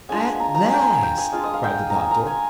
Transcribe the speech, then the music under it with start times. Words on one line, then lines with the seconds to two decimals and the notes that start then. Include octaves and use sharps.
"At last!" cried the Doctor.
0.09 G#3 D4 F4 G#5
0.40 A#5
0.55 A#5
0.64 G#5
0.73 G5
0.81 G#5
0.94 G#5
1.03 G5
1.18 G#5
1.33 G#3 D4 F4 F5
1.43 D#5
1.54 F5
1.64 G5
1.90 G#5 A#5
2.11 A#5
2.27 G#5